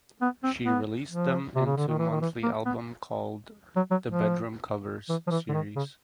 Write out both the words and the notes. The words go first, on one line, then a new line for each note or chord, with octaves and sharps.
She released them into monthly albums called the ""Bedroom Covers"" series.
B3
C4
B3
F3
C3
C#3
D3
D#3
E3
D#3
E3
A#3
B3
F#3
F#3
F3
E3
F3
E3
D3
D#3
C#3